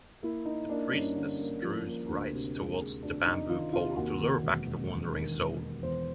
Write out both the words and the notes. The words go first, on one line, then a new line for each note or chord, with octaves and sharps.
The priestess strews rice towards the bamboo pole to lure back the wandering soul.
A#3 E4
A#3 D#4
A#3 D4
G2 C#4
D3
A#3
F3
A#3
D2
C3
G#3
G#3
D2 D4
C3 D#4
D#3 F4
C3 F4
D#2 F#4
D#3
E1
E1
E1
D#3
E1
D#3
E2 C5